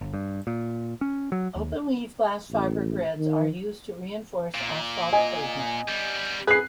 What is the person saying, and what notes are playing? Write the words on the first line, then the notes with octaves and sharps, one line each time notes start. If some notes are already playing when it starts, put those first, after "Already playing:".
Open-weave glass fiber grids are used to reinforce asphalt pavement.
G1
G2
A#2
C#4
F#3
D#2
A1
D#3
A#2
D#5 G#5
G3 B3
G#4 B4 F#6 C7